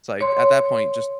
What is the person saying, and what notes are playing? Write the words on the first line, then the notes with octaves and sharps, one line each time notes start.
It's like, at that point, just
C#5 C6